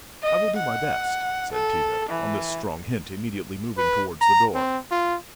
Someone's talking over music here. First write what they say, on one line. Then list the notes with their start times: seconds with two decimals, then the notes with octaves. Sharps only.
"I will do my best," said Tito--on this strong hint, immediately moving towards the door.
0.23 D#5
0.57 F#5
1.52 A4
2.09 E3
3.78 B4
4.21 A#5
4.55 C4
4.91 F4